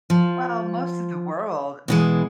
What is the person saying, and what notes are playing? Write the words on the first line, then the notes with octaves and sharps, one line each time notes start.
Well, most of the world, I mean
F3
B2 E3 G#3